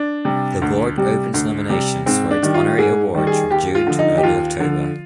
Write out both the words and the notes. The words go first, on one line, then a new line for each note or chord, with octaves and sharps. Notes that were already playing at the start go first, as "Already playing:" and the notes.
The Board opens nominations for its honorary awards from June to early October.
Already playing: D4
C3 G3
D2
C3 G3
D2
C3 G3
G#2 C4
D4
D#3 G3
F4
G#2 G#4
D#3 G3
G#4
D#2 G4
F4
D3 F3
D#4
G4
D#2 F4
D3 F3